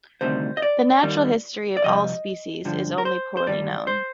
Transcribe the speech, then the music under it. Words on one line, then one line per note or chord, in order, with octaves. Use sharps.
The natural history of all species is only poorly known.
D2 C3 D#3 G3 C5
D#5
D5
D#2 D#3 G3
D5
F2 C3 G3 D#5
G2 D3 F3
A#4
C5
C5
G2 D#3 G3 D5
C5